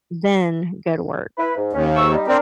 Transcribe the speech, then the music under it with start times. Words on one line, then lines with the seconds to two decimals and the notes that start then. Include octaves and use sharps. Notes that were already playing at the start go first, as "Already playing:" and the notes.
then go to work,
1.38 E4 B4
1.55 G#2
1.73 D#2 C#4
1.96 G#2 C#6 E6
2.12 G3 D#4
2.28 C4 D4 A#4